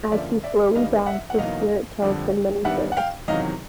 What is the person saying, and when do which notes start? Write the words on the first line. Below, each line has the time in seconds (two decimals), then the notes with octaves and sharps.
As he slowly dies, the spirit tells him many tales.
0.12 D3 F3 A#3 C#4 D5 E5
0.44 D5 E5
0.75 D#3 G3 B3 D4 D#5 F5
1.06 E5 F#5
1.30 F#5
1.38 E2 B2 F#3 A#3 D#4 D#5 F5
2.02 F2 D3 G3
2.65 D#3 G3 B3 D4 E5 F#5
2.92 F#5
2.97 F5 G5
3.28 E2 C3 D#3 F#3 D#5 F5